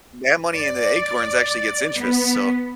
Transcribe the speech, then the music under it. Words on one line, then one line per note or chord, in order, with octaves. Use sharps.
that money in the acorns actually gets interest, so
D5
B3